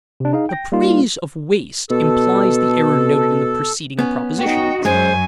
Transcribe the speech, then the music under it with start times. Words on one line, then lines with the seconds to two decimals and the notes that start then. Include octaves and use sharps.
The praise of waste implies the error noted in the preceding propositions.
0.20 C3 D4
0.33 D#4 G#4 F5
0.49 G5 A#6
0.72 G3 A#3 D#4 F4
1.90 B2 A4
3.99 B3 C#4
4.38 D#4 F#4 G5
4.85 F#2 F#3 G#3 C5 G#5